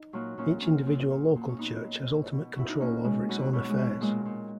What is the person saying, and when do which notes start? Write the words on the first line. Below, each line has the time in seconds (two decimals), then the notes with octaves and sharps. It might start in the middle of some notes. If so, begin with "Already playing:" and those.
Each individual local church has ultimate control over its own affairs.
Already playing: D#4
0.13 A#2 F#3 A#3
0.38 A#2 A#3 C#4
0.62 A#2 A#3 C#4
0.87 A#2
1.10 A#2
1.36 A#2
1.49 C#4
1.59 A#2 B3 D#4
1.84 A#2
2.07 B2
2.32 B2
2.54 B2 C#4 E4
2.67 D#4 F#4
2.80 B2 A#3 C#4
3.04 B2 G#3
3.29 B2 F#3
3.40 F#3
3.53 B2 F#3
3.69 G#3
3.77 B2
3.86 F#3
4.01 A#2 G#3
4.25 A#2